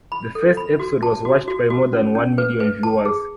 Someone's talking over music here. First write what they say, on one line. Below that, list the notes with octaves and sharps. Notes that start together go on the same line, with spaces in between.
The first episode was watched by more than one million viewers.
B5
A4
B5
F#4
A5
F#4
F#4
F#4
C#4
C#4
B4
B4
A5
G#4